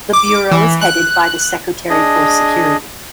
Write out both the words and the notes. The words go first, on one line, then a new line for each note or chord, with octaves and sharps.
The bureau is headed by the Secretary for Security.
D6
E3
F#6
D4 G#4 D#5